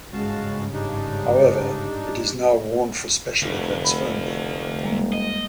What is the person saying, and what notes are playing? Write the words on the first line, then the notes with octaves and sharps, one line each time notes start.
However, it is now worn for special events only.
G1 G#2 C#3 G#3 F#4 F5 A5
D4 D#4 G4
F1 D2
B5
G3 G#3 A#3
D#5